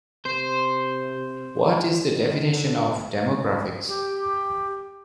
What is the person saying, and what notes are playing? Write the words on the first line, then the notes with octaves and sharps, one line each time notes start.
What is the definition of demographics?
C3 C5
D#3
D3
G4